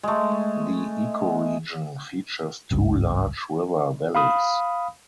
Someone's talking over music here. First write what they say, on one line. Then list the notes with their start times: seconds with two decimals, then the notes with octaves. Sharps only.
The ecoregion features two large river valleys.
0.03 G#3 A3
2.71 G#1 C#2 G2
4.15 F5 B5 D#6